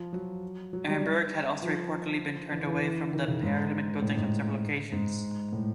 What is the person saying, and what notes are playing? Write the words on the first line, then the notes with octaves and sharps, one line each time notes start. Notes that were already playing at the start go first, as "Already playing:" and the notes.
Arenburg had also reportedly been turned away from the Parliament Buildings on several occasions.
Already playing: F3
F#3
F#3
G3
F3
E3
E3
D#3
C#3
G#2
A2
G#2
G#2
A2